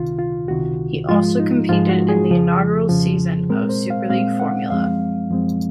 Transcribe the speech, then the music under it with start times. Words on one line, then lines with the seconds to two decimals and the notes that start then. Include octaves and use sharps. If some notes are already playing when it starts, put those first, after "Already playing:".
He also competed in the inaugural season of Superleague Formula.
Already playing: C#2 C3 D#3 F4
0.19 F4
0.48 C#2 C3 D#3 F#4
1.09 G#2 F3 G#3 F4
1.39 D#4
1.69 G#2 F3 G#3 F4
1.89 F#4
2.09 G#4
2.30 F2 C#3 F3
2.89 F2 C#3 F3
3.49 A#2 G#3 C4 A#4
3.69 C5
3.90 F5
4.09 A#2 G#3 C4 F5
4.40 F#5
4.70 F#2 F3 G#3 C4 F5
5.31 F#2 F3 G#3 C4